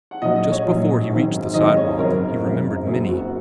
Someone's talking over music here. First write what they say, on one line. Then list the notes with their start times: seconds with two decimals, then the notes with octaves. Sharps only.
Just before he reached the sidewalk, he remembered Minnie.
0.11 F#5
0.22 A#1 A#2 F#3 D#5
0.36 D#5
0.52 C#5
0.66 A#1 A#2 F#3
1.09 G#1 G#2 D#3 F#3
1.54 G#1 G#2 D#3 F#3 D#5
1.77 C#5
1.99 G#1 F#2 C#3 F#3 A#4
2.43 G#1 F#2 C#3 F#3
2.86 F#1 F#2 C#3 F#3 G#4
3.09 F#4